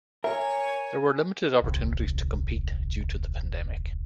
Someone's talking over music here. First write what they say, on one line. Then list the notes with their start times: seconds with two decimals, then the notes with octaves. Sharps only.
There were limited opportunities to compete due to the pandemic.
0.24 A#4 C#5 E5 G#5
1.62 D#1 C2